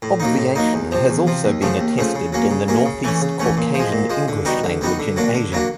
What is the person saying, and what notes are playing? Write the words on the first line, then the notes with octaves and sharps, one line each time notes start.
Obviation has also been attested in the Northeast Caucasian Ingush language in Asia.
A2
F#3 A#3 D#4
A2
F#3 A#3 D#4
E2
C3 F3
E2
C3 F3
D#2
C#3 F3 A3
D#2
C#3 F3 A3
C#3
F#3 A#3 C#4
C#3
F#3 A#3 C#4
C#3
E3 A3 C#4
C#3
E3 A3 C#4
A#2
F3
G#3
A#2
F3 G#3
D3
G3 B3 D#4 F#4
D3
G3 B3 D#4 F#4
D3
F#3 A#3 D4 F#4
D3
F#3 A#3 D4 F#4